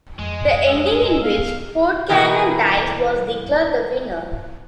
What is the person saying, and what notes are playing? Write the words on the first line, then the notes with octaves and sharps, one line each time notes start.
The ending in which Podkayne dies was declared the winner.
F2 G#3
E6
B3 A#4 F5
B2 E3 A#3 D#4 E4 G5